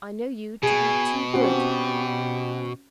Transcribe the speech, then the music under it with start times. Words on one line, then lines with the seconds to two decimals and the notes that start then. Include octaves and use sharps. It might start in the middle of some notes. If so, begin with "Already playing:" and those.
I know you to be too good.
0.63 B2 G#4 G#5
1.34 C4 C#4 F#4 G4